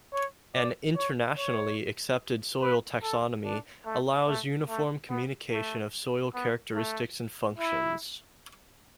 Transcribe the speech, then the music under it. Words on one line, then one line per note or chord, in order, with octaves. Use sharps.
An internationally accepted soil taxonomy allows uniform communication of soil characteristics and functions.
C#5
D5
C#5
C#5
B4
A4
D4
A3
A3
A3
B3
A3
B3
A3
E4